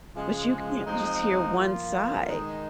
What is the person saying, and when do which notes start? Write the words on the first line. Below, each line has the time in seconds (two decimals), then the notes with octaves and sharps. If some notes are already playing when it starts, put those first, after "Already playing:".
but you can't just hear one side.
0.15 C#3 F3 G#3
0.86 F3 G#3 C4 D#4
1.56 F3 A#3 F4
2.26 D#3 G#3 D#4